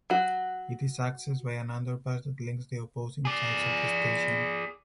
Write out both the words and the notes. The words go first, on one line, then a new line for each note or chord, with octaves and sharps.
It is accessed by an underpass that links the opposing sides of the station.
F#3 F#4
G#4 D5